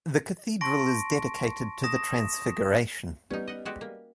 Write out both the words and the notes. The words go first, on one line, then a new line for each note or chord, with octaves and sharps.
The cathedral is dedicated to the Transfiguration.
A5 C6 C#6 A#6 D7
D#6 A#6 E7
G3 B3 C#4 D#4
D#5 F#5
G#3 F#4 G4
A#3